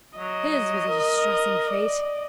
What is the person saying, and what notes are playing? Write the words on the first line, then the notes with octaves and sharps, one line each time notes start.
His was a distressing fate.
F#3 D#5
A#4
D5